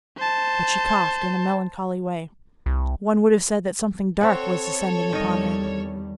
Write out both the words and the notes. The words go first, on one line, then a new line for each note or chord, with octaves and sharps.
But she coughed in a melancholy way. One would have said that something dark was descending upon her.
C5 A5
C2
C4 A4 C#5 F#5
E2 D#3 G3 D#5